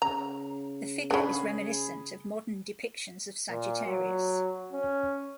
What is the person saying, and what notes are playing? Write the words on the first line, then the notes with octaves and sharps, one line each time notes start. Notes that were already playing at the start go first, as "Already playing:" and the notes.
The figure is reminiscent of modern depictions of Sagittarius.
C#3 A#5
C#4 D4 G#4 B5
A#2
F#3
C#4